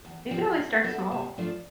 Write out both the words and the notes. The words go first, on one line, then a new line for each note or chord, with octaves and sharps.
you can always start small.
E2
C3 F3 C4
B2
B3 D4 A4
C3
F3 A3 D4